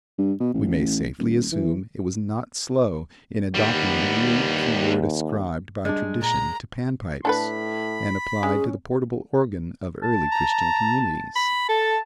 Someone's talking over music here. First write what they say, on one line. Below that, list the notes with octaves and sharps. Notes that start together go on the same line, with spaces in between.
We may safely assume it was not slow in adopting the rude keyboard ascribed by tradition to Pan pipes, and applied to the portable organ of early Christian communities.
G2
B2
A1
D#1
E3
D#2 G3 B3
G3 G#3 D4
A#2 A#5
A2 D4 A4 B4 B5
G#3 C#4 G#4
A5
A#5
B5
A4 A5